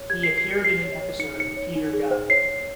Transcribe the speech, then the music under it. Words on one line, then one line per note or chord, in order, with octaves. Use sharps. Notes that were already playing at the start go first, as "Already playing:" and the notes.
He appeared in an episode of Peter Gunn.
Already playing: C#5
G4 G#6
A#4 C7
C7
G4 C#7
G4 C7
C#5
C#5
D#4 C#7
D#4 C#7
C#5
D#4
G#4
C5
C#5 C7
C#5